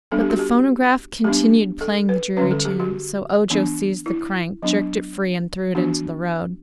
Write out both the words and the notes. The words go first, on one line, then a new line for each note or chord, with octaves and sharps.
But the phonograph continued playing the dreary tune, so Ojo seized the crank, jerked it free and threw it into the road.
G3 B3 D4 A4
G4
F#4
G4
G3 B3 D4 G4
A4
B4
D3 G3 C#4 B4
A4
G4
F#4
E3 B3 D4
E4
F#3 B3 D4
E3 B3 D4 F#4